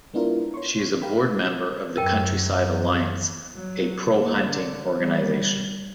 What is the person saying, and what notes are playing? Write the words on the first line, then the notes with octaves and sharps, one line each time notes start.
She is a board member of the Countryside Alliance, a pro-hunting organisation.
G#3 B3 D4 E4 F4 A#4
C#5 C6 C#6
A#4 F5 G5 B5
F#2 A#4 G5
F#3
A#3
D3
G3